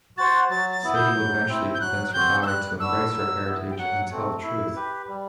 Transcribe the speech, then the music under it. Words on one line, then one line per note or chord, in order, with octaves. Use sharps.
Sadie would eventually convince her daughter to embrace her heritage and tell the truth.
F#4 C5 F#5 A6
F#3 A6
A6
B3 E4
G6
F#3
C4 E4
G6
F#3 F#6
F#6
C4 F#4 C5 G6
E6
G3 F#6
D4 F#4 B4 E6
F#3
B3 E4
G5
F#3 F#5
A3 C4
E4
G4 B4
G3